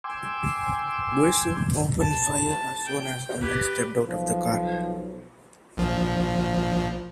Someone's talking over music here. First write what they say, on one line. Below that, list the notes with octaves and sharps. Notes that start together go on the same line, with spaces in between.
Grissom opened fire as soon as the men stepped out of their car.
G5 G#5 C6 D6 E6
A5
G5
G4 B4
B1 F3
A#1 F3